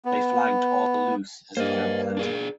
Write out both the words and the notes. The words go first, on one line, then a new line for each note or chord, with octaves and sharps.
They flagged all loose, as if they were panting.
B3
G2 A#3 C5 D#5
D4 G#4 D5